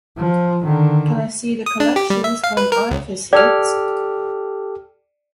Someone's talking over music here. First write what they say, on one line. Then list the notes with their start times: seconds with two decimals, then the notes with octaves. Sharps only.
Can I see the collections when I visit?
0.18 F3
0.64 D3 D#3
1.66 D#6
1.80 D4
1.96 G4
2.10 G3
2.24 E5
2.44 F5
2.57 B4
2.72 A#4
2.91 C#2
3.33 G4 A4 D5 F6